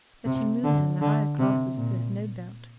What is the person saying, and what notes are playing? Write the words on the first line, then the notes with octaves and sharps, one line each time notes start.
That he moves in the higher classes there's no doubt.
C3
D3
D3
C3
A#2